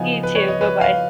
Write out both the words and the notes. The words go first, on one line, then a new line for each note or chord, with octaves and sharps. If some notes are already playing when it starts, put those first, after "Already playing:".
You too, bye-bye.
Already playing: C#3 F3 B3 D#4 D#5 F5 G#5
B4
C#5
D#5
B4
F5